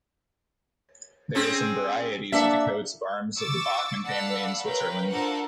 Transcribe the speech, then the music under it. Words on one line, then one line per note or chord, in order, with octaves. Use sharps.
There are some varieties of the coats of arms of the Bachmann family in Switzerland.
C4 C#4 G#4
A#3 D4 E5 F#5
C#6 D6 E6 A6
A4 D5 F5 F#5 B5 E6
A#4 B4 C#5 F5 G5
D4 F4 A4 A#4 C5 F#5